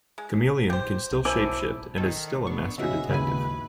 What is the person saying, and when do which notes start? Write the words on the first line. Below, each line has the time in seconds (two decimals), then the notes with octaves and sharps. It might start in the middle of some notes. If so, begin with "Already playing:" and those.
Chameleon can still shapeshift and is still a master detective.
0.18 G#3
0.70 G4 C5 G6
1.11 B1
1.25 F#3 E4 C5 G#5 A5 B5 D6
1.98 D#3 A4
2.47 B3 D4 C#6
2.78 C#3 F#3 B3 D#4 F#4 G#4 E5
3.10 G#1 D#2 C#3 E4 B4 G#5